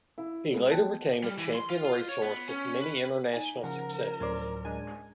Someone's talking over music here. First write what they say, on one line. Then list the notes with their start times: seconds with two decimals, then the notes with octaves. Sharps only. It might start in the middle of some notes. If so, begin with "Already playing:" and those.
He later became a champion racehorse with many international successes.
0.18 E4
0.53 G#3 B3
0.69 G5 A5 F#6
1.24 G3
1.38 E3
1.55 C6
1.70 F4
1.85 F4
2.09 C#5
2.22 B3
2.49 C#4
2.81 B4
3.33 D#4 G#5
3.63 C#3 F3 A#4 F#5 A#5
4.20 D2 A2 F#3 C#4 C5 D5
4.65 G#3 D4 G#5